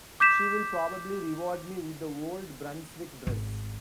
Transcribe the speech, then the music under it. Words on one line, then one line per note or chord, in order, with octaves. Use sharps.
She will probably reward me with the old Brunswick dress.
D6 G6 B6 E7
G#1